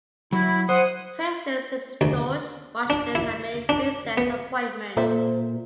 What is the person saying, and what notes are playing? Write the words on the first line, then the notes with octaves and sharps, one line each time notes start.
Presidents since George Washington have made recess appointments.
F#3 E4
C5 F#5 D#6
D2
D4
E4
D4
B3
A#2 A4 C5 E5